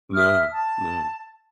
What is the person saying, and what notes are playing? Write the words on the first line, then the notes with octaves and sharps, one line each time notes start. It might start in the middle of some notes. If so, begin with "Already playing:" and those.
No. No.
E5 D#6 F6
A5